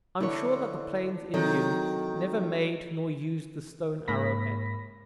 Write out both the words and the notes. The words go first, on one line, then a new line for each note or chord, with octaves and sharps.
I am sure that the plains Indian never made nor used the stone arrow-head.
D3 E4 C#5
D#3 F#3 C4 E4 A4
G#2 A#3 B5 A#6 B6